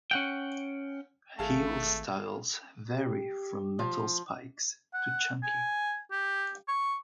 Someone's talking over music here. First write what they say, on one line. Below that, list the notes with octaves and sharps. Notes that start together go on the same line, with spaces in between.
Heel styles vary from metal spikes to chunky.
C#4 F#5 G5
G#1 A3 G#4 F5 A5
G4
F3
F#5
G#5
G4
C#6